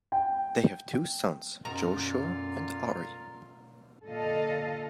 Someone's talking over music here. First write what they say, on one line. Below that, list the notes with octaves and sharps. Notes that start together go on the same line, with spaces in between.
They have two sons, Joshua and Ari.
G5
F#2 B2 D3 F4 A#4 A#5
A#2 D3 A4 D#5 F5